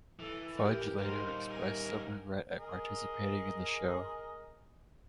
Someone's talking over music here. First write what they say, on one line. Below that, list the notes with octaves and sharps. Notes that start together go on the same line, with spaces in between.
Fudge later expressed some regret at participating in the show.
E3 A4
G4 A#4
G3 D#4 A#4 C5
A#4 G#5
G#4 A#4 D#5